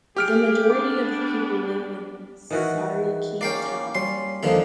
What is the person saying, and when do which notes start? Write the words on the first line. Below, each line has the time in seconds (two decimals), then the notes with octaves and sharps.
The majority of the people live in Sarikei town.
0.16 G4 G#4 F6 D7
0.69 B3 D4 D6
2.51 D#3 E3 F#4
3.41 A#3 C#4 D5 F5 G5
3.95 G3 C#4 C6
4.43 D#2 D3 F3 G3 D4 D#4